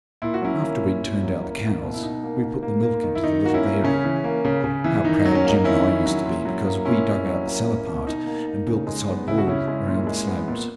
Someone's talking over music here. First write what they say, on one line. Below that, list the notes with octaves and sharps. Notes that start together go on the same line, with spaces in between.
After we'd turned out the cows we put the milk into the little dairy. How proud Jim and I used to be because we dug out the cellar part, and built the sod wall round the slabs!
A#2 E4
F#4
F#3 C#4 E4
A#3
A#2
A#2
F#3
A#3
A#3
B2
E4
B2 D#4
A#3
A#3
A#3
A#3
D#3
E4
D#3 D#4
A#3 F#4
C#4 E4
A#3
C#3 C#4
E3
A#3
C#3
C#3
E3
D#3 D#4
D#4
F#3
C#4
A#3 D#4
D#3 C#4 E4
D#3
F#3
A#2
F#3
A#3
A#2 C#4 E4
A#2
F#3
A#3
A#3
B2
B2 D#4
A#3
A#3
C#3
G#3
B3
C#3 E4
F#4
C#3 C#4 E4
G#3
A#2
G#3
B3
A#2